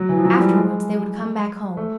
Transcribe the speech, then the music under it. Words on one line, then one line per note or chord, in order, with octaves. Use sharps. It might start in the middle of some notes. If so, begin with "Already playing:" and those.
Afterwards they would come back home.
Already playing: F#3
E3
F3
F#3
G3
G#3
A3